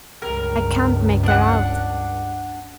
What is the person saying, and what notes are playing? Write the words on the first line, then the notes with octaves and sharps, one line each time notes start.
I can't make her out.
C#2 G2 A#4
D4 F#5